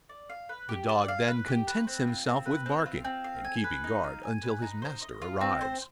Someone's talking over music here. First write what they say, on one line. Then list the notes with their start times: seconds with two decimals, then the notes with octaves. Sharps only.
The dog then contents himself with barking and keeping guard until his master arrives.
0.09 D5
0.30 F5
0.49 B4
0.69 G4
0.89 D5
1.08 F5
1.28 B4
1.48 G4
1.67 B4
1.87 C4
2.07 F4
2.26 C4
2.46 B4
2.66 C4
2.86 F4
3.04 C4
3.24 F5
3.44 G#5
3.64 B4
3.84 D#4
4.04 F5
4.23 G#5
4.43 B4
4.62 D#4
4.82 C5
5.02 D#5
5.22 F4
5.41 C4
5.61 C5